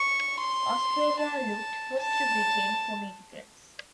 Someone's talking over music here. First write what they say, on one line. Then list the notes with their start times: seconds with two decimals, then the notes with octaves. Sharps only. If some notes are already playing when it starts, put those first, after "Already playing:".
Australia looked first to Britain for migrants.
Already playing: C#6
0.40 C6
1.20 A5
2.01 A5